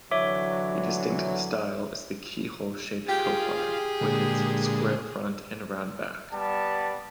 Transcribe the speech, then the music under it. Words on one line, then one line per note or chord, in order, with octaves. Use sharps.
A distinct style is the keyhole-shaped kofun, with its square front and round back.
D3 E3 F#3 C#5 E5 D6
F4 G4 G#4
G4
A#2 D3 G#3
G3 B3 A5